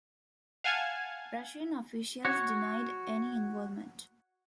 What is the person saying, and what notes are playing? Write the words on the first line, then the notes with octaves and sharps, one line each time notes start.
Russian officials denied any involvement.
F5 F#5 G#5 A5 F6 G#6
F#4 C#5